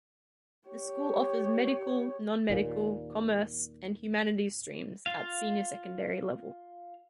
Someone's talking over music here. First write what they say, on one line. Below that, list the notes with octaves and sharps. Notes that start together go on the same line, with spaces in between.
The school offers Medical, Non-medical, Commerce and Humanities streams at Senior Secondary level.
G4 C#5
D#2 A#2
F4 F5